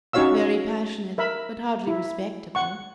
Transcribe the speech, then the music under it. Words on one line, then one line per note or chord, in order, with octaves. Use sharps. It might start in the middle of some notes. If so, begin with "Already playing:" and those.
'Very passionate, but hardly respectable.
C#4 D#4 F#4 C#5 F5 E6
A#4 E5 B5
E4
F#5 C#6